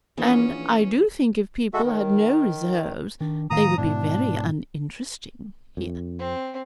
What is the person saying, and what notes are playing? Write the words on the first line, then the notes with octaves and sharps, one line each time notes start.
'And I do think, if people had no reserves, they would be very uninteresting,' he added.
A#1 E3 A#3 B3 C#4 G#4
G#3 F#4 A4 E5
D#3 A#4 C#5
D#3 D4
A2 D#3 F5 A#5 D#6
G#2 B2 D4 E4
F2
C4